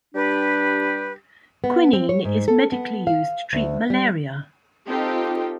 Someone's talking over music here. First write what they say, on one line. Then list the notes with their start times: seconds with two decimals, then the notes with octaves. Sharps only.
Quinine is medically used to treat malaria.
0.15 G3 D4 G4 B4
1.64 B3
1.93 C4
2.09 C#5
2.25 G#2
2.48 A4
2.72 B3
3.07 F5
3.53 D2
3.90 G3
4.89 C4 D#4 F4 G4 A4